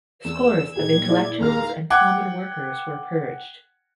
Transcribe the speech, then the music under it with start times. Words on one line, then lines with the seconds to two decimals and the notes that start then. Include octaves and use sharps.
Scores of intellectuals and common workers were purged.
0.24 E2 E6
0.75 A#2 D#4 G4 G#4 G#6
1.09 E4 G#4 D5
1.40 D#2 G#3 F5 A#5 F6
1.90 F#5 G5 D6 F#6 G#6